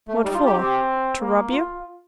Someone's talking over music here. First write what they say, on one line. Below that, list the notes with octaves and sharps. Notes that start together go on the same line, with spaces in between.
"What for--to rob you?"
A3
G3 D#4
F4
G4
C4 G4
A#3
F4